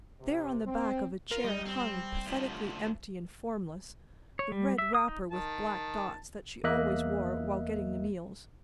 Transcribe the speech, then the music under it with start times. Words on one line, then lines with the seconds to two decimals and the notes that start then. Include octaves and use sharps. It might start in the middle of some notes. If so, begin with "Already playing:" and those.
There on the back of a chair hung, pathetically empty and formless, the red wrapper with black dots that she always wore while getting the meals.
0.20 C3
0.66 C4
1.31 F4 A#4
1.44 G3 D#4
1.66 C4
2.27 D2 F3
4.39 C#5
4.52 G3
4.78 E5
4.95 D#6
5.08 D#4
5.32 D#3 A5
6.64 E2 A#3 D#5 E5 F#6